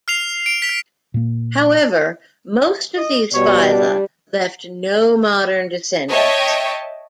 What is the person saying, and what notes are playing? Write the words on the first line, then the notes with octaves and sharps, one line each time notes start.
However most of these phyla left no modern descendants.
F6 C7 F7
D7
B6 F7
A#2 A#3
D#5
B2 G3 C#5
D4
C#5 D#5 E5 G5 A5